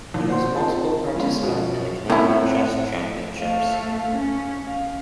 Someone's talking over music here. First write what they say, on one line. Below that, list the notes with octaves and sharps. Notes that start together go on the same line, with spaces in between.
He was multiple participant in the Canadian Chess Championships.
D#2 E3
C5 F#5 C6
C4 F4 G#4 A5
G#3 B3 C#4 F5
B2 F3
A2 C4 E4 A#4 F#5
A3 F5
C#4
F5